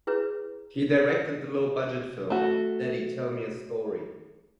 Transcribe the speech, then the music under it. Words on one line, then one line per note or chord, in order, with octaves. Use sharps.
He directed the low-budget film "Daddy Tell Me A Story..."
E4 G#4 B4 C#5
A3 F#4